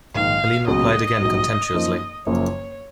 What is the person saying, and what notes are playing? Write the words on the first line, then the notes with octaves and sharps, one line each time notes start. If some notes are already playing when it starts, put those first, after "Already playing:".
Helene replied again contemptuously.
A#1 G#2 D#3 F5
C#2 B2 F#3 A#3 C#4 D#5
A#1 G#2 F#3
F#2 F3 A#3 D#4
F#1 F#2 F3 A#3 C#5